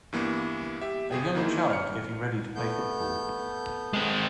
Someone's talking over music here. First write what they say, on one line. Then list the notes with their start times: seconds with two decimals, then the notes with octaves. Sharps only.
A young child getting ready to play football.
0.13 G2 E3 A#3 B3
0.81 G4 E5
1.11 G1 G#4 G5
1.34 D#3 E3 A#3 D#4 E4 C5
1.70 F6 C#7
2.55 A3 B3 G6
3.93 G#3 C4